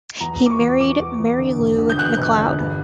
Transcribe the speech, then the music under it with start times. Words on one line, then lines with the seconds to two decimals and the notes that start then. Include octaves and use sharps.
He married Mary Lou MacLeod.
0.21 E2 A#5
0.41 E2
0.46 D6
0.50 C#6
0.60 E2
0.80 E2 D6
1.00 E2
1.20 E2
1.39 D3
1.59 E1
1.78 D3
1.90 G6
1.98 E2 F#6
2.18 E1
2.38 D3
2.58 G2